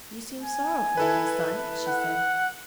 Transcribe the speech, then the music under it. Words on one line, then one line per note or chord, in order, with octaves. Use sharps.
'You seem sorrowful, my son,' she said.
G#5
E4 A4 B4
F#5